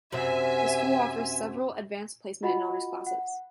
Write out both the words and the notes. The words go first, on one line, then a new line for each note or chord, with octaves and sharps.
The school offers several Advanced Placement and Honors classes.
F#2 C3 E5 G#5
F4 F#4 D#5 F#5 B5
F#5